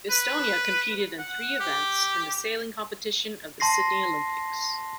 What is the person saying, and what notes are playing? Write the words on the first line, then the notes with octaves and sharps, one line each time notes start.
Estonia competed in three events in the Sailing competition of the Sydney Olympics.
B4
F#5
G4
A5 C6 A#6 C7